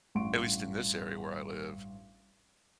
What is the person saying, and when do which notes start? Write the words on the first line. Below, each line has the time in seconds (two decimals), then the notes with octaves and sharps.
at least in this area where I live
0.15 A1 G2 F#5 C6 C#6 D7